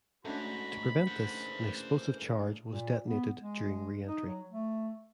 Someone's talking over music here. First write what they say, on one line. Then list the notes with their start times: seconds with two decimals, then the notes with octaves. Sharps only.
To prevent this, an explosive charge was detonated during reentry.
0.25 G#2 A3 C#4 D4 F#4 A#5 B5
1.07 C#3 E3 A#3 C5 F#5
2.69 A#2
3.06 B3
3.38 G#3
4.06 D#4
4.26 F#3
4.51 A3